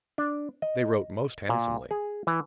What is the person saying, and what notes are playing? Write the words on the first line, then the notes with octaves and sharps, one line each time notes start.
They wrote most handsomely.
D4
D#5
A#2
G#4
E3